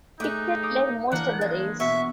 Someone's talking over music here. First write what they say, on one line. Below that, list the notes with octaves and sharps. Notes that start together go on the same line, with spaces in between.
Piquet led most of the race.
A3 D#4 G#4 D6 F#6
F5 D6 D#6
E3 A#3 D4 A#4 D5 F#5
G2 G#3
B2 E5 C#6